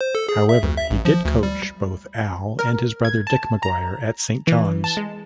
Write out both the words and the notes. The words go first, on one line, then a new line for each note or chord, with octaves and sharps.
However, he did coach both Al and his brother Dick McGuire at Saint John's.
C5
A4
G#4
E5
D2
E5
A1
F3
D2
G3
A#4
G#6
A5
A#5
E3
A5
G#3